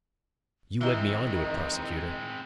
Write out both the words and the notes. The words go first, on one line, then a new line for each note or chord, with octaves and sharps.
You led me on to it, prosecutor?
D#3 E3 G#3 C4 D#4 E4